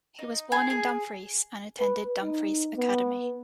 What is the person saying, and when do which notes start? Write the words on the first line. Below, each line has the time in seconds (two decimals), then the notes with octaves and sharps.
He was born in Dumfries and attended Dumfries Academy.
0.19 D#4
0.52 G#4
0.70 G#4
1.79 B4
2.22 D#4
2.76 B3